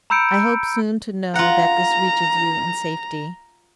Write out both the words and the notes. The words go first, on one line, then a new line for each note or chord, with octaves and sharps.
I hope soon to know that this reaches you in safety.
A#5 B5 E6 G6 C#7 D7
F4 F#5 A#5